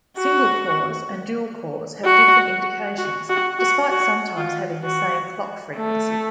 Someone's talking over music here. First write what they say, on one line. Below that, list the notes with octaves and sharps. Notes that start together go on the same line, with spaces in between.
Single-cores and dual-cores have different indications, despite sometimes having the same clock frequency.
F#4
F#4
F#4
F#4
F#4
F#4
F4
F#4
A3